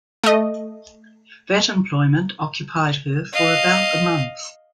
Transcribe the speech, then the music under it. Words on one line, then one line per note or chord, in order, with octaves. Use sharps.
That employment occupied her for about a month.
A3 D#5
D#5 F5